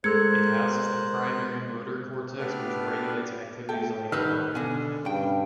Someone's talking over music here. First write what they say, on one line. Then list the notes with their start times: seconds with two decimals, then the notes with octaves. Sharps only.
It houses the primary motor cortex which regulates activities like walking.
0.04 G#3 A4 A#4 C5 E6 F#6 G#6 C#7
2.38 A3 B3 D4 G4 B4 F6
3.69 A3 A4 G5
4.12 D#3 G3 B4 E6 F6
4.55 B2 D3 G#5
5.05 G2 C#3 G5